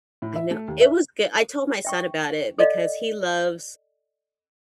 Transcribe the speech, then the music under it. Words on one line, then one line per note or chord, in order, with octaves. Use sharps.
I know, it was goo I told my son about it because he loves
A2
E5
A3
D#2
E5
E5 G5 C#6
A4 D5 D#5 F5